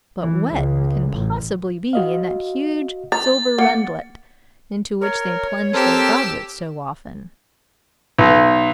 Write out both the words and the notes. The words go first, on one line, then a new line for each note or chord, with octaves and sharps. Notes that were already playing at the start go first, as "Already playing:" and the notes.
But what can possibly be in that huge silver rundlet into which they plunge their goblets so often?
E3
C#2
A1
F#4 D#5 F5
A#5 A6
A#3 F#5
A#4 C#5
C4 G4 A4 A#4 C5 E6
B1